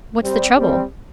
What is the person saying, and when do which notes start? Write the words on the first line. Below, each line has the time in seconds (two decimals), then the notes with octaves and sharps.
'What's the trouble?
0.22 G3 C4
0.57 G3 C4